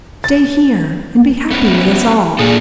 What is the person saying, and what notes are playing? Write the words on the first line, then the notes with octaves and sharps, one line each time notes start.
Stay here and be happy with us all.
A6
A3 B3 C#4
A#2 D4 F4 G#4 A4